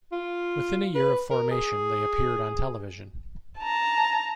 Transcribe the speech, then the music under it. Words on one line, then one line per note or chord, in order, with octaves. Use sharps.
Within a year of formation, they appeared on television.
F4
B4
A#4
G#4
A5 A#5